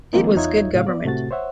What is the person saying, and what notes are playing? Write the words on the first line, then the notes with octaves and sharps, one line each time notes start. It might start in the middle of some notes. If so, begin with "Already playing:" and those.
It was good government.
D#3 F3 G#3 A#3 C4 D#4
E2 D#4 F4 C#5 E5 G#6
A2 C#3 F5
B3 D5
A2 C3 A3 F#4 A6
C5 C#5 E5 F#5